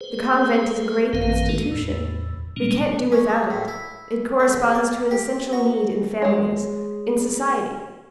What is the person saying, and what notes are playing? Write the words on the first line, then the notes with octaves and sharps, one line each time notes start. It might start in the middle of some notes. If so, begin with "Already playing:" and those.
The convent is a great institution; we can't do without it; it corresponds to an essential need in families, in society.
G#4 B4 C5
A1 F#2 D#3 C4 B4 F5
G#3 A#3 D4 D#4 F#4 A4
E2 A2
A#2 G3 G#3 A#3 C#4
C#4
G#3
A2
E4
A3
E2
D5
G4
F#4
G#3 C#5